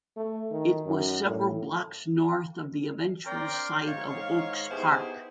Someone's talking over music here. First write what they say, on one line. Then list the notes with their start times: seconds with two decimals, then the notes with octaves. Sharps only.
It was several blocks north of the eventual site of Oaks Park.
0.17 A3
0.51 D#3
0.85 F#2
1.26 A2
3.25 C4 D4 A#4 D5 G5 C6
3.87 G#2 D#3 C#5 F5
4.70 B3 D#4 E4 G4 G#4 C5